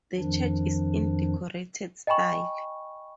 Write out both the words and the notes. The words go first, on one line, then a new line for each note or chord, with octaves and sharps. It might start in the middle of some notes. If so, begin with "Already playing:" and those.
The church is in decorated style.
F2 D#3 F3 D4
D#5 G5 G#5 B5 C#6